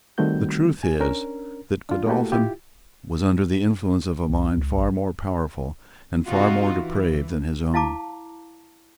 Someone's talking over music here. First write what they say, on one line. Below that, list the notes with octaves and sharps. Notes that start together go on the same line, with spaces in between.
The truth is that Godolphin was under the influence of a mind far more powerful and far more depraved than his own.
D#3 G3 A3 C4 F#4 G6
G#5
C#4 D4 A#4
D4 F4
A3 A#3 E4 F#4 G4 A4
E4 F4 G4
C2
C#2
A1
C3 D#4 F4 F#4
E3
E4 F5 A5 A#5 D6